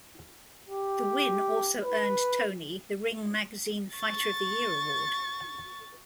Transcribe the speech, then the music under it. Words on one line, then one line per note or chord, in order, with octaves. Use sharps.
The win also earned Toney the Ring Magazine Fighter Of The Year award.
G4
B4
C#6 A6